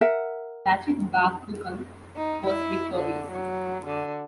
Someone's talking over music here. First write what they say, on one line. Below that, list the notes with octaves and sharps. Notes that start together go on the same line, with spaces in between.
Lachit Barphukan was victorious.
A#4 E5 F#5
D#4
E4
D3
F#3
D3